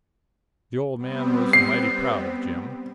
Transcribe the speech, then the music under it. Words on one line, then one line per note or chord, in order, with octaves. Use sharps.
The old man was mighty proud of Jim.
G3 B3 C4
C7